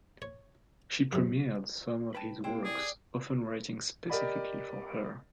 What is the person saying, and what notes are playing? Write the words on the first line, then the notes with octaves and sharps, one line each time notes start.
She premiered some of his works, often written specifically for her.
C#5
F#2 C3
B4 G5 A5
C3 A#3 E4 C5 G5
G#4 D5
G4 A#4 D5 D#5 B5